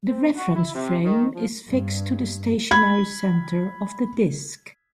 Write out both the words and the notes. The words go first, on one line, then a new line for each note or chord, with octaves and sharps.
The reference frame is fixed to the stationary center of the disk.
C4
F#4
E4
C3
D#3
F3
G2
B5 G#6